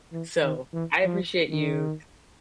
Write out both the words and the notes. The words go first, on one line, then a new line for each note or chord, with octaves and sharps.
So, I appreciate you.
E3
D#3
E3
F3
D#3